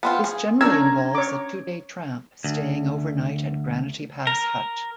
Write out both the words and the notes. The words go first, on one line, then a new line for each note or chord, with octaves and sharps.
This generally involves a two-day tramp staying overnight at Granity Pass Hut.
B3 C4 F4
G#4
C#4 D4 A#4 A#5 E6 G#6
C#5 D6
D2
A#4